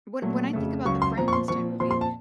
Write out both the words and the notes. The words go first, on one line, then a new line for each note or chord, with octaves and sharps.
When when I think about the Frankenstein movie,
A#2 F#3 A3
F2 C#3 A3
C#2 C#3 F#3 C#6
C6
A#2 F3 C4 A#5
C#6
C6
A#2 F3 C4 C#6
A#2 F3 C4 C6
C6
A5